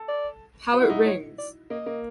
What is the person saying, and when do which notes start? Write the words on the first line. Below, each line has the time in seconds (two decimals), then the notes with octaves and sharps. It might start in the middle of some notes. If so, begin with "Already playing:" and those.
How it rings!
Already playing: A4
0.08 D5
0.73 F#4 C5
0.81 E4
0.89 D#4
1.06 C#5
1.38 D5
1.70 A#3 D#5
1.86 A#3